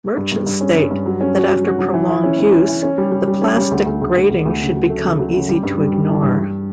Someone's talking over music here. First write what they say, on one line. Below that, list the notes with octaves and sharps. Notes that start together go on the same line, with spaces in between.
Merchants state that after prolonged use, the plastic grating should become easy to ignore.
G2
G2
G2
C#4
G2
G2
F#3
C#4
F#4
F#3
F#4
F#3
E3
E4
C#4
C#4
C#4
E3
C#4
G3
G3
G3
C#4
G3
D2
D2
D2
D2
D2
D2
C#3
F#3
A3
C#3
F#3
C#3
G3
G2
G3
G3
E3
G2
G2